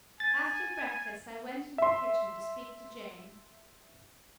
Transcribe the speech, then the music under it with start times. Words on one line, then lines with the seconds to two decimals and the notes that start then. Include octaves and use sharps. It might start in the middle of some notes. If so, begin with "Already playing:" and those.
After breakfast, I went into the kitchen to speak to Jane.
0.20 G#5 A6
1.78 E5 C6